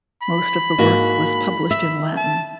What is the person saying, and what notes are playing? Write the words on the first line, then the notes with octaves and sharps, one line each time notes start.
Most of the work was published in Latin.
B5
G#2 A#3 F#4
E5
A5